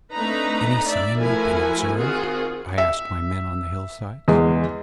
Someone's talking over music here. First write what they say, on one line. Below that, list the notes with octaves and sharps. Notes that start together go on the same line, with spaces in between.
"Any signs we have been observed?" I asked my men on the hillsides.
A3 C4 D4 D#4 B4 A#5
D5 E5
F3 A3 E4 F#4 A#4 G#5
D#3 C4 F4 F#4 G#4 A#4
E5
E2 G#3